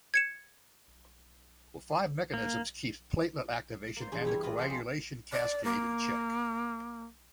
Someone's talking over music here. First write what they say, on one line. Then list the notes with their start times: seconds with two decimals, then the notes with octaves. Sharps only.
Five mechanisms keep platelet activation and the coagulation cascade in check.
0.14 G#6 C#7 E7
2.34 A#3
3.97 A#3 C5
4.12 E2 G2 C#3 F3 A4
4.25 G3 E4 C#5
4.43 F4 B4 D5 D#5
4.57 F3 G#3 A3 C4
4.70 G#3
5.32 D5
5.65 A#3